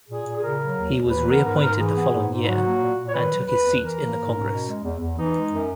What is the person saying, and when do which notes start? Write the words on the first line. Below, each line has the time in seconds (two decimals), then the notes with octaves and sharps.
He was re-appointed the following year, and took his seat in the Congress.
0.09 A#2 G#4
0.26 A#2
0.36 G#4
0.43 C#3 A#4
0.60 F#3
0.77 D#2
0.94 D#2
1.11 E3 B4
1.27 B3 A#4
1.44 G#2 A#4
1.57 B4
1.61 G#2 A#4
1.78 E3 G#4
1.95 B3
2.12 G#2
2.30 G#2
2.42 E4
2.46 F#3 F#4
2.63 A#3
2.80 A#2
2.97 A#2
3.09 C#5
3.14 D#3 B4
3.31 F#3
3.47 E2 B4
3.64 E2
3.82 E3 A#4
3.98 A#3
4.15 G#2
4.33 C#4
4.49 B2
4.66 G#3
4.83 E2
5.00 E2
5.16 E3 D#4
5.34 G#3
5.50 F#2